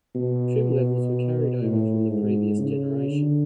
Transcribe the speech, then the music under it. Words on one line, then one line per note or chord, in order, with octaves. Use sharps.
Trim levels were carried over from the previous generation.
B2
A2
G#2
C#3
D3